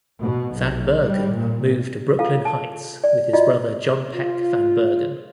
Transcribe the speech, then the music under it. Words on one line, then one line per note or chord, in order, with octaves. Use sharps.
Van Bergen moved to Brooklyn Heights with his brother John Peck Van Bergen.
B2
B1
G3
A#2
F4 A4 F5
A5
D5
F4 F#4 D5 D#5
F4